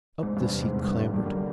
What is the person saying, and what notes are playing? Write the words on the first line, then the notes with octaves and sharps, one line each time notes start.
Up this he clambered.
F1 E2 G#2 C3
G2
G2
G#2
G#2
G2
D2 D3 G3 A#3
G2
F#2